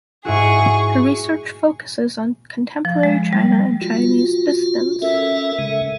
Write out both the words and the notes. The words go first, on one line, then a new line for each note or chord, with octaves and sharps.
Her research focuses on contemporary China and Chinese dissidents.
G#2 E4 F#4 G#4 C#6
F3
G#3
G3
F4 F#4
C#4 A4 A#4 E5
C#3 G#3